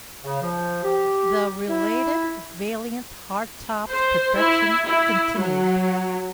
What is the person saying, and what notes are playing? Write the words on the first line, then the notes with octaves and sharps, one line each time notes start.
The related Valiant hardtop's production continued.
C#3
F3
G4
E4
C5
E4
E4
F#3